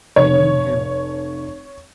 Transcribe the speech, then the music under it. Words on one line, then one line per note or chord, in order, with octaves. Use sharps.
I mean him.
F1 C#5